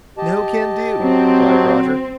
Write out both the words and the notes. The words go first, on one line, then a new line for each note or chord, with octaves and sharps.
"No can do," replied Roger.
G4 D#5 A5
F#3 C4